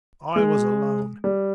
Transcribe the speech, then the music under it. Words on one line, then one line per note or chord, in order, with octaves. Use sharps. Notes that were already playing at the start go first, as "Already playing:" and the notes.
I was alone.
G#3
G3